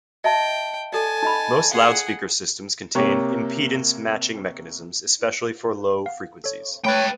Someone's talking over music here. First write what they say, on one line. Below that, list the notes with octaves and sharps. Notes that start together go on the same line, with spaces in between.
Most loudspeaker systems contain impedance matching mechanisms, especially for low frequencies.
D#5 E5 G5 A5
A4 D5 G#5 A5
D#4 D#5 B5
G#4 F5 F#5
C3 A#3 G4 C#5
F5 F#5
A4 C#5
A3 B4 C#5 G5 B5